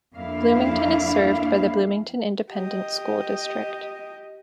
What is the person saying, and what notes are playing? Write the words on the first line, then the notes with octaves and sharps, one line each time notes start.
Bloomington is served by the Bloomington Independent School District.
F2 A#3 D4 E4 F5
G4 D#5